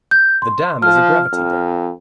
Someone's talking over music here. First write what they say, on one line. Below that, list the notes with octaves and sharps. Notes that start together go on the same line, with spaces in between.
The dam is a gravity dam.
G6
C6
F3 F6
F2